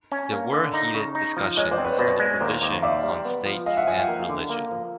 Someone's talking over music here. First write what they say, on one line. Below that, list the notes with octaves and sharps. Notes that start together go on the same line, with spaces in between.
There were heated discussions on the provision on state and religion.
C#4
A#3
D3
D#4
C#3
D#4
F3
G#3 C#5 D#5
C5 D5
C4
B4 C#5
B2 C5 D5
G#3
D#2 A#4 C5
D#2
F5
D#2 D5 E5
G3
B3
F3
G#3 D#5 F5
E5 F#5
F3 F#5 G#5
F5 G5
A#3
D3
A#3
F3